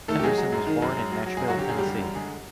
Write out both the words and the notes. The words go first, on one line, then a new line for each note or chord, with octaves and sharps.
Henderson was born in Nashville, Tennessee.
D#3 A3 A4
G4
F#3 G#3 G#4
F#3
F#2
D#3
F#2
F#2
F#3
F#3
F#2 G#3 G#4
F#3 F#4
D3 G4
F#2 G#4
G3 G4
D3
F#2
D3 G#3 G#4